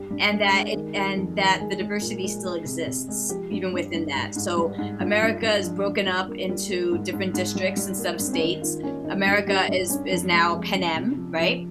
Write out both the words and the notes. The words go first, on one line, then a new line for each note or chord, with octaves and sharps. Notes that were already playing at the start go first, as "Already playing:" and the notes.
and that it and that the diversity still exists, even within that, so America's broken up into different districts and sub-states, America is is now Panem, right?
Already playing: G2 G4
G2
G#3
G#3
D#3
D#3
F2
D#3
G#3 G#4
G#3
A#2
G#3
G#3
C3
C3
G#3
F3 G4
G2
G2
G2
G#2
G#2
G3
G#2
G2 F4
G2
G2
F3
G2
G3
A#3
G3
A#3
G#2
G#2
G#2
G3
G3
A#3
G2
C4
C#4
D#3 D#4
D#3 F4
A#3 C#4
D#3 D#4
G2 G4
G2 G4
G2
G2 C#4
F2
G#3
F2
C#3
C3
F3
F3